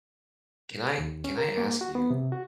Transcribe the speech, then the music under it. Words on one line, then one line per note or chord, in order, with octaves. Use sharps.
can I can I ask you,
D#2
C#4
A#4
A#3
F#4
B3
C3
F#4